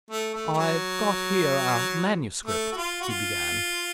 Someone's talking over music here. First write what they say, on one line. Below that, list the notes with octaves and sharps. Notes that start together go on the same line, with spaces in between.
"I've got here a manuscript," he began.
A3
A3
A3
F#3
A3
F#4
F4
F#4
F4